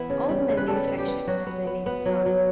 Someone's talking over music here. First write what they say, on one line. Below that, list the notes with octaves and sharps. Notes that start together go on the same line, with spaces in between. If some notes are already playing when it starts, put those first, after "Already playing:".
Old men need affection as they need the sun.
Already playing: E3 B3 E4
C#3
G3
C#3
B4
G3 A4
B3
G4
B3
F#3 F#4
B3
B3
B3
F#3
F#3